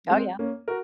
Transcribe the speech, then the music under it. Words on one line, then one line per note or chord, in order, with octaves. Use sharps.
Oh, yeah.
G#3 C4
A#3 C#4
F#4 A#4